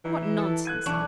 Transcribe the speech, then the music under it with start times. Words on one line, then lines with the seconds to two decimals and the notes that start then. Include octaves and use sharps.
What nonsense!
0.05 E3 D#4 E4
0.23 E7
0.39 A4
0.65 F#6 G#6 D#7
0.86 B1 E3 D4 C#6